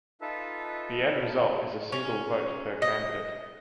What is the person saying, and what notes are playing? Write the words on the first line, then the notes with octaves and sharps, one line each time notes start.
The end result is a single vote per candidate.
D#4 F4 A4 B4 E5 A5
C#4
D#5